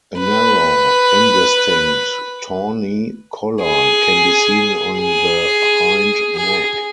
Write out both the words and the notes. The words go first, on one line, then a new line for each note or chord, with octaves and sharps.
A narrow, indistinct tawny collar can be seen on the hindneck.
B4
G#4
G#4
G#4